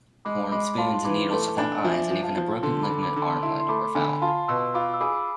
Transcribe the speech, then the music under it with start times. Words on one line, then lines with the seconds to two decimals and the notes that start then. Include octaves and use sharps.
Horn spoons and needles without eyes and even a broken lignite armlet were found.
0.25 G#3 B5 D6
0.52 G#3 B5 D6
0.78 F4 A5 C6
0.94 C6
1.04 E3 B5 D6
1.21 D6
1.31 A3 A5 C6
1.57 D4 G#5 B5
1.83 F3 E5 G#5
2.11 F3
2.23 F5 A5
2.37 F3
2.63 D3 A5 C6
2.83 B5 D6
2.90 D3
3.02 B5 D6
3.16 D3
3.22 A5 C6
3.42 E4 A5 C6
3.60 C6
3.69 A3 B5 D6
3.95 D3 G#5 B5
4.22 F4 A5 C6
4.48 B2 C6 E6
4.74 F4 B5 D6
4.94 E6
5.00 G#4 B5 D6